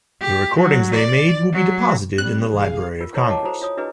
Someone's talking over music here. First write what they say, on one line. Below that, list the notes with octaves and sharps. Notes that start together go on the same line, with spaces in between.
The recordings they made will be deposited in the Library of Congress.
G4
F#3
D5
F#3
G3 C4 F#6
G1 B2 E3 G#4 F5
F4 A#4
E4 A#4 C#5 D#5 A#5 B5
E4 C#5 D#5 F#5 A5 D6
F#4 A4 C5 A#5
F4 C#5 D#6
D4 E4 F#4 G#4 B4 D#5